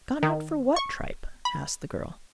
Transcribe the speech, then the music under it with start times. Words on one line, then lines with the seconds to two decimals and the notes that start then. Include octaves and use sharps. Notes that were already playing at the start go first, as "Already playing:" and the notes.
"Gone out for what tripe?" asked the girl.
0.23 D#3
0.76 C#6
1.45 B5